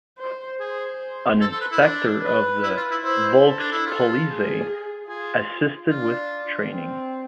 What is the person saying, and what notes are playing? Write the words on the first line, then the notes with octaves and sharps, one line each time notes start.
An Inspector of the Volkspolizei assisted with training.
C5
G#4 C5
A4
A4
B4
E4
D4
B4
E4
F4
E4
E4 C5
A4
D4
E4
F4 A4
G#4
F4 G#4
D4 F4
C4